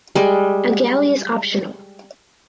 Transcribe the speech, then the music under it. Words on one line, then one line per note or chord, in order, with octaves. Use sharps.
A galley is optional.
G3 G#3